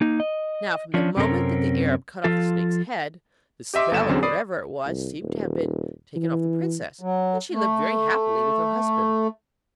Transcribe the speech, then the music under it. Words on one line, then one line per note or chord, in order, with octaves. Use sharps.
Now, from the moment that the Arab cut off the snake's head, the spell, or whatever it was, seemed to have been taken off the princess, and she lived very happily with her husband.
A#3 D#4
D#5
F3 C#4 D4
F#2 C3 C4 C#4 A4 A#4
F3 F4 A4
G4 D#5 E5 C6 D6
G1 D#2 A4 E5 E7
E2 D3 F#3 C4 C#4
D5 B5 D#6 C7
C2
D#1
E3
F#3
A3